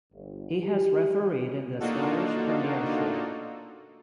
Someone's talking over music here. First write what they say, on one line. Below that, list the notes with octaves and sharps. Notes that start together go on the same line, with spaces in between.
He has refereed in the Scottish Premiership.
G1
G4
A#3 D4 D#4 F4 F#4 A4